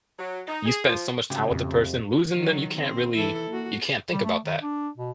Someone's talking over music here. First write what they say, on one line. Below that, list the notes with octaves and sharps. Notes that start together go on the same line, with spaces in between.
you spent so much time with the person, losing them, you can't really you can't think about that,
F#3
D#4
G#4
F3
G#1 D2 C#3 G4
F2 C3
D#3 F#3
C4
E3 E4 A4
A#3 F#4
G3
A3
D#3
D4
B2